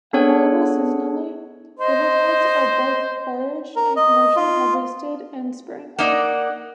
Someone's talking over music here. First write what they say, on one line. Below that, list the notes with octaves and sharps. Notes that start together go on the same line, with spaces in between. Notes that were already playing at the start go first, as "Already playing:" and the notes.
Available seasonally, fiddleheads are both foraged and commercially harvested in spring.
B3 D4 G#4 A4 C#5 F#5
C5 D#5
A#4
D#5
F4
A#3 D#4 D5 F#5